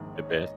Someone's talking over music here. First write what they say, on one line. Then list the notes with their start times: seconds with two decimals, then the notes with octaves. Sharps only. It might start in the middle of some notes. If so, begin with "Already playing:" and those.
the best.
Already playing: A#1 G#2 D#3 G#3
0.16 C#5
0.29 D#5